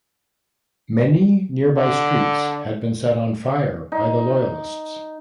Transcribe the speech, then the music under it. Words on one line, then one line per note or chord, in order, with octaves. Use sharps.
Many nearby streets had been set on fire by the loyalists.
D3
D#4